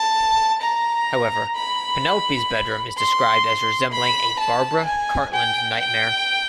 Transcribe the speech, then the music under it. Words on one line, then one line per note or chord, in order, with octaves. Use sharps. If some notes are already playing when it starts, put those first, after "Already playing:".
However, Penelope's bedroom is described as resembling a "Barbara Cartland nightmare".
Already playing: A5
A#5
B5
C6
B5
A5
G#5
G5
G5